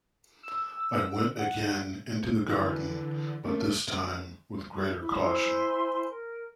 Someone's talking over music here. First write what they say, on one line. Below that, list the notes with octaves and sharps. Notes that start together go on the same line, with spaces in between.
I went again into the garden, but this time with greater caution.
E6
F#5
D3 E3 F#6
C#3 A3 A#3
E4
E4 C5 G#5 C6
A#4